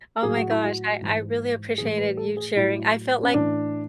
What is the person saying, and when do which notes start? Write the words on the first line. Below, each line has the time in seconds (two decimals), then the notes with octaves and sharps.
Oh my gosh, I I really appreciated you sharing I felt like,
0.23 A2 F#3 G#4
0.37 F#4
0.51 E4
0.64 F#4
1.01 G#2 E3
1.78 A2 E3 G#4
1.98 B4
2.17 A4
2.37 G#4
2.56 A2 F#3 E4
3.23 C#4
3.34 A2 E3 D4